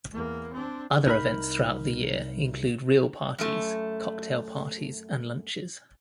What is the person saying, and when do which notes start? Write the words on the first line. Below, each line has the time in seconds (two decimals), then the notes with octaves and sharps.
Other events throughout the year include reel parties, cocktail parties and lunches.
0.12 E2 A#3
0.53 C4 D4
1.07 C2 D#4 A#4 A#5 B5
3.38 F#2 A3